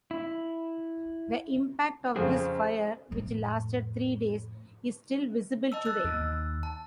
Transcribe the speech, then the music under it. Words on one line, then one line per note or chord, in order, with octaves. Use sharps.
The impact of this fire, which lasted three days, is still visible today.
E4
F2 C#3 G#4 C5 G#5
F2 A2
D#5 A5 E6
E6 F#6 A6
D#2
A5